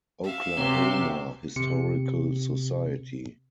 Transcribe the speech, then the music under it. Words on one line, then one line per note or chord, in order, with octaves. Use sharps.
Oklahoma Historical Society.
E5 F5
C3 F#3 B3 C4 D6
C3 C#7